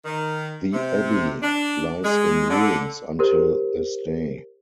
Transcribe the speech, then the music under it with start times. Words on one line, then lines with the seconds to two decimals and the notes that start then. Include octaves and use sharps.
The abbey lies in ruins until this day.
0.05 D#3
0.73 C3
1.42 D4
2.03 G#3
2.49 D3
3.19 G4 A#4 C5